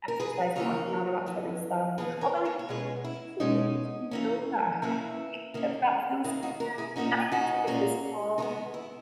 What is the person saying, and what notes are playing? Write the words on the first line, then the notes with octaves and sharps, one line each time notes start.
exercise or working out or that sort of stuff although I do kind of consider consider yoga a hobby, but that feels more and I know it's, like, a physical
A#4
G#4 B4
C#3 E3 A#3 A#4 C#5
E3 B3
E3 B3 G#4 B4
A#4 C#5
A#4 C#5
C#5
B2 G#3 C#4 G#4 B4
E4
B2 G#3 C#4 D#4
E3 A#3 C#4
E3 A#3 C#4 E4
D#3 A#3 C#4
D#3 A#3 C#4 E4
D#4 F#4
F#4 A#4
E4 G#4
A#2 A#3 C#4 D#4 F#4
D#4 F#4
A#2 A#3 C#4
D#3 G#3 B3 D#4 F#4
E4